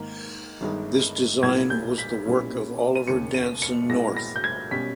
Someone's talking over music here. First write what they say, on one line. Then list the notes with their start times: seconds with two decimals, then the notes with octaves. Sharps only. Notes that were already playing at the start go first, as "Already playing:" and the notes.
This design was the work of Oliver Danson North.
Already playing: G#2 D#3 A#3
0.61 G1 G2 D#3 G#3 D#4
1.43 B1 A#2 G3 B3 E4 G#6
1.70 G6
1.98 B6
2.25 B1 A#2 G3 C#4 E4
2.96 D#7
3.07 E1 D#2 C#3 C#7
3.34 D#7
3.62 C#7
3.89 A#2 G#3 B3 E4 A#6
4.17 A#6
4.36 G6
4.44 G#6
4.71 B2 G3 C#4 B6